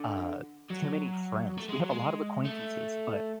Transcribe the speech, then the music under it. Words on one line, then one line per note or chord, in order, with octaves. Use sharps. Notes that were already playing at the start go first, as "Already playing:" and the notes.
uh, too many friends. We have a lot of acquaintances, but
Already playing: D3
F#3
A3
G#3
F#3
G#3
A3